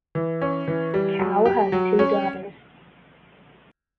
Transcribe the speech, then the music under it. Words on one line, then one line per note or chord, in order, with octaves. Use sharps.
Kao has two daughters.
E3
C#4
E3
G3
F#3
G4
F#3
C#4